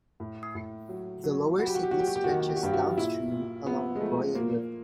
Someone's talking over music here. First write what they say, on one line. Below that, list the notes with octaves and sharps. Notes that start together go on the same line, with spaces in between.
The lower city stretches downstream along the Broye river.
A2
A2
F#3
F#3
F#3 F#4
G4
F#4
G4
F#3 F#4
G4
F#4
G4
F#4
D#3 G4
F#4
G4
F#4
G2 G4
F#4
A#2 E4
A#2
F3 B3
G#3
F3 A3
A#2 A#3